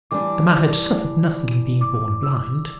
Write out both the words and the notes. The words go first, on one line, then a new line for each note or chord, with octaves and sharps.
The man had suffered nothing in being born blind.
E3 G3 D4 D6
D6
E6